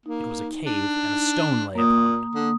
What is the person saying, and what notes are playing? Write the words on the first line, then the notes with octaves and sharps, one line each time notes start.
It was a cave, and a stone lay upon it.
A#3 D#4
D4
A#2 A#3 D#6
D3